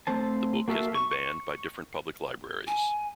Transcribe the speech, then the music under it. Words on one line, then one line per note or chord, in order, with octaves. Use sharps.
The book has been banned by different public libraries.
A3 C4 C5 A5
A#3 F#4 A4 E5 F5
C#6
C#6
G#5